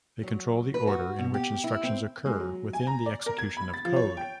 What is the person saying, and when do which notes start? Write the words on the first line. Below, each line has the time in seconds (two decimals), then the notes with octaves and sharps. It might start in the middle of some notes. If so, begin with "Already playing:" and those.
They control the order in which instructions occur within the execution of code.
0.23 F#3
0.74 B4
0.87 F#4
1.19 B2
1.34 G4
1.64 E4
1.83 C4
2.26 G#3
2.40 F#3
2.73 G#5
2.87 A#5
3.06 D5
3.26 A#4
3.38 G#6
3.57 B5
3.74 A6
3.85 F3
3.96 C#5
4.17 G5